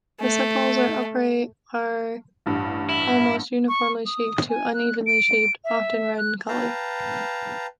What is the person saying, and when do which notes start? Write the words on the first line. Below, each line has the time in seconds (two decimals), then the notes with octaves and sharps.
The sepals are upright, are almost uniformly shaped to unevenly shaped, often red in color.
0.20 A3
2.46 A1 G2
2.89 E4
3.68 C#6
4.06 D#6
4.49 G#5
4.74 F#6
5.07 D7
5.65 E5
6.18 F#6
6.48 B4 F5 G5 A5 A#5